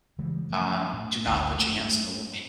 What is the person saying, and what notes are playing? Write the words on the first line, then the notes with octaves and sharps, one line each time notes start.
Um, do not put your hands in the wa
C#3 E3 G3 G#3
F3 A3
A2
G#1 D2
A3